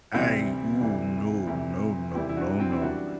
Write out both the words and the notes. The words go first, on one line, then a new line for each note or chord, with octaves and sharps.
I ooh, no, no, no, no, no,
D2 C3 E3 G3 C4 E4
D2 C3 E3 G3
D2 C3 E3 G3
D2 C3 E3 G3 E4 G4
E4
D4 F#4
C4 E4
E4
F#2 E3 G3 D4 F#4